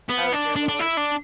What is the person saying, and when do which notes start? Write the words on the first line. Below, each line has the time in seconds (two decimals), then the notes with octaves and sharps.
Oh, dear Lord.
0.09 B3
0.32 D4
0.56 D4
0.68 D4
0.80 E4
0.97 D4